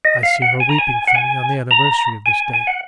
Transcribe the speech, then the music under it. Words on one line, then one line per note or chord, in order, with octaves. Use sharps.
I see her weeping for me on the anniversary of this day.
D#5
F5
F#5
G#5
A#5
G#5
F#5
G#5
A#5
G#5
G#5
F#5